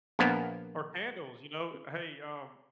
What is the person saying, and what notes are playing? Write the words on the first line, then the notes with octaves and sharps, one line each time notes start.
Or candles, you know, "Uh, hey, um,
A#1 A#3 B3